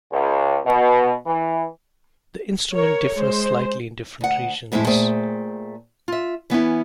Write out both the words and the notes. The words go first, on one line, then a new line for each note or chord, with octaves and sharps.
The instrument differs slightly in different regions.
C#2
B2
E3
A#4 C#5
G#3 C5
D2 F#5
F2 A2 G#3 C4 E4
A#2 A3 G#4 C5 G5
F4 E5
E3 B3 C#4 E4